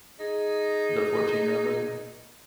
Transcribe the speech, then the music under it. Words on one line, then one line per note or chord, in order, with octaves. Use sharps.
the fourteen-year-old brother?
D#4 G#4